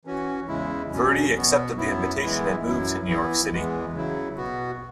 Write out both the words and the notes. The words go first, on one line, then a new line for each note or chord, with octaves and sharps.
Verdy accepted the invitation and moved to New York City.
E3 C#4 F#4
E2 C#3 G#3 E4
E2 B2 F#3 C#4
B2 B3 F#4
F#2 F#3 B3 E4
E3 G#3 B3 E4
F#2 F#3 E4
E3 B3 E4
E2 E3 G#3 B3
C#3 F#3 E4
B2 B3 F#4